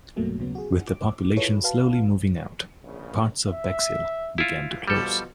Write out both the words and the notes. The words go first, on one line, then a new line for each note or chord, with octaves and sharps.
With the population slowly moving out, parts of Bexhill began to close.
B1 G2 B2 F#3 A3 A#3
D#2 C#3 F#3 B3
F#4 G#4
D6
E4 F4 G#4 A4 B4 C#5
F#4 B4 F5 A5
A#1 E2 C#3
E5
E4 F4
B2 F3 G3 A4